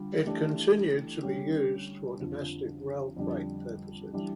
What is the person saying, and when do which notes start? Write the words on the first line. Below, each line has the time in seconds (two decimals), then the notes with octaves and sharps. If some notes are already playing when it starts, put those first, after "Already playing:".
It continued to be used for domestic railfreight purposes.
Already playing: D3 G3 F4
0.26 E3 A3 D4 G4
1.23 D3 G3 C#4 G4
2.20 F2 D3 F3
3.16 F2 D3 G3 D4
4.13 E3 G3 D4